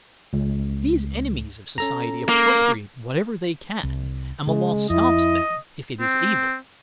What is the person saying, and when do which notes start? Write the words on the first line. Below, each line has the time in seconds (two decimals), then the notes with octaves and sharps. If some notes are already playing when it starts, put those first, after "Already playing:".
These enemies of society appropriate whatever they can, and the law stops them if it is able.
0.33 C#2
1.78 C#4 A4 A#5
2.29 A#3
3.83 C2
4.47 C#3 G#3
4.90 F2 E4 D#5
6.00 C4